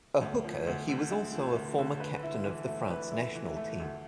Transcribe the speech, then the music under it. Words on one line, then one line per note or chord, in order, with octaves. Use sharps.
A hooker, he was also a former captain of the France national team.
D2
F3
D2
D3
D2
F3
D2
D3
B4
E4
E3
A3
B4
E4
E3
A3
D2